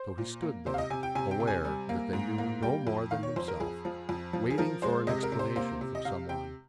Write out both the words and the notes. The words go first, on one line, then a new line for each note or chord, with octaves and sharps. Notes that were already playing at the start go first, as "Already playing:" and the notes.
So he stood there, aware that they knew no more than himself, waiting for an explanation from some one.
Already playing: C5
A#2
A#3
C3 C5
F5
D#5
C3 G#5
G5
C3 G#5
G5
C3
G#5
G3
A#3
G#2
A#3
G3 G5
F2
D#3 F5
C#5
F2 C5
A#4
F2 G#4
F3
F2
F3
G#4
F3 A#4
G#3 C5
C3 D#5
A#4
C3
C5
A#3 C5
C3
D#5
C3 F5
C3 G5